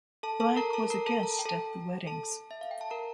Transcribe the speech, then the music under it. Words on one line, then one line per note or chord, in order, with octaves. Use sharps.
Black was a guest at the weddings.
A4 A5
A4 A5
A#4 A#5
A4 A5
A#4 A#5
A4 A5
A#5
A5
G5
A4 A5
A4 A5
E5
F5
G5
A5
A#4 A#5